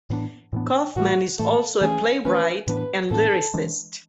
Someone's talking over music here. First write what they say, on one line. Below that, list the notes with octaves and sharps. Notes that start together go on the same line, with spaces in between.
Kaufman is also a playwright and lyricist.
A2 E3 B3 D4
A2 E3 B3 D4
A2 E3 A3 F#4
A2 E3 A3 A4
E3 A3 C#4 G#4
E3 A3 C#4 B4
A2 E3 B3 D4 B4
A2 E3 B3 D4 A4
E3 G#3 D4